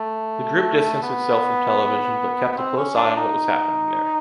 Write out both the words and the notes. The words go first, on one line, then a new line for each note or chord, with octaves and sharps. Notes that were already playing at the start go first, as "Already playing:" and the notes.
The group distanced itself from television but kept a close eye on what was happening there.
Already playing: A3
B3
B3
C4
C#4
D4
D#4